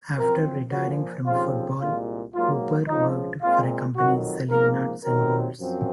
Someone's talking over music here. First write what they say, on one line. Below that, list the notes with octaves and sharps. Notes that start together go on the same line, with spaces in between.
After retiring from football, Cooper worked for a company selling nuts and bolts.
F#2 F3 C4 A#4
A#2 F3 A#3 F#4
D#2 C#3 F3 C4 F4
C2 A#2 G#3 F4
G#2 F#3 A#3 F4
C#2 C#3 F3 D#4
A#2 G#3 C4 F4
F2 D#3 F#3 F#4
G#2 F3 A#3 A#4
F2 C3 D#3 F#3 C4 A#4
F#2 F3 C4